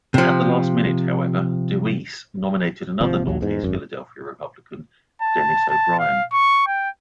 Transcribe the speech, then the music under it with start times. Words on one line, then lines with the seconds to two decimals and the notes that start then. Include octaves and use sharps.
At the last minute, however, DeWeese nominated another Northeast Philadelphia Republican, Dennis O'Brien.
0.14 C3 F3
3.01 G#1 C3 F3
3.27 A#1 D#2 F#3
3.41 E2 G#2
3.64 G#1 F#2
5.22 A5
5.69 A5
5.99 F5
6.33 C#6
6.67 G5